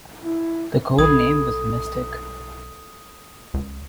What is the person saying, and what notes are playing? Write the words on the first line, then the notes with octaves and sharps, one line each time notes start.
The code name was Mystic.
E4
B1 A4 B5 D#6 G#6
C#2